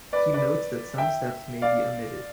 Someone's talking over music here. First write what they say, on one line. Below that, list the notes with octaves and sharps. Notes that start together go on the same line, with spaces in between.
He notes that some steps may be omitted.
B4 D5
B4 D5
E5 G5
D5 F5